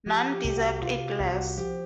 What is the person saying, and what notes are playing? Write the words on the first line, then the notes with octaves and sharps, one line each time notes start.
None deserved it less.
F3 G4
G4
C2 G4
F#4
C3 F4
G4
C2
F#4
F3 G4